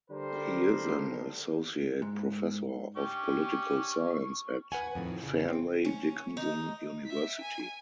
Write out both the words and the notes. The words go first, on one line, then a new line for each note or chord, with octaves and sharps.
He is an associate professor of political science at Fairleigh Dickinson University.
D3 G3 A4 A#4 C5
G#2
C#4 D4 G4 C#6
B4 F#5 G#5
F2 A2 D#3
C#3
C4
C#4
D#4
E5 B6
G#5